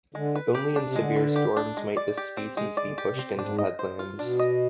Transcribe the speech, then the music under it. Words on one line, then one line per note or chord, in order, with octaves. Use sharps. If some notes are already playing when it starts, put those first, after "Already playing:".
Only in severe storms might this species be pushed into headlands.
D3 G#3
B4
G4
D4
C3
D3 G#3
B4
G4
D4
G#3
D5
G4
C4
C3 G#3
D5
D3
G4
C3
C4
B2
G#2 D4
D#5
C5
F4
B2 D4
D#5